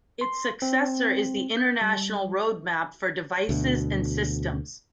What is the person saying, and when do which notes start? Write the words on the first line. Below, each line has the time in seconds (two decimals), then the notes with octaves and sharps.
Its successor is the International Roadmap for Devices and Systems.
0.21 C6
0.62 C4
1.57 G6
1.81 G3
3.49 D2 B2